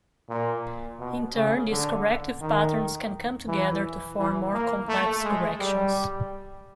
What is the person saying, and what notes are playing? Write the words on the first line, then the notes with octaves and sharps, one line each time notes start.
In turn these corrective patterns can come together to form more complex corrections.
A#2
B2
C#3
D3
D#3
E3
E3
A#3
A3
G#3
G3